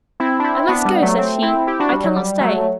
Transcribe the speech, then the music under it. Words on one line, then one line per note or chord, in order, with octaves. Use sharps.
'I must go,' said he, 'I cannot stay.
C4 E4
D4
C4 E4
B3 D4
G3 B3
F#3 A3
A3 C4
C4 E4
E4 G4
D4 F#4
G3
F#3
G3
F#3 A3